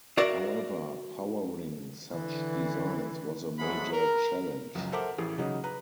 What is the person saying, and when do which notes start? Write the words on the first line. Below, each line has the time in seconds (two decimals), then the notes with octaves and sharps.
However, powering such designs was a major challenge.
0.17 F#4 A#4 D5 E5 F5
2.12 D3 E3
3.58 G#2 F#3 A3 G#4 F#5 B5
3.92 A#4
4.75 F#1 C#2 F#2
4.92 A4 A#4 C5 E5 F#5 D6
5.18 A1 E4 G#4
5.38 C#3 F#3 D#4
5.64 B4 A#5